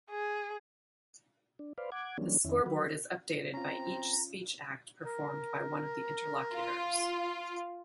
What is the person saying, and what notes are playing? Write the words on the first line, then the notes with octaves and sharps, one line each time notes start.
The scoreboard is updated by each speech act performed by one of the interlocutors.
G#4
D4
B4 C5 D5 F5
F#5 D6 G#6
E3 F#3 G3 A#3 C#4 D4
F2 D#3 C#4 E4
D#3 F#3 F#4 B4
C4 C#4 F4 A#5
A#4
F4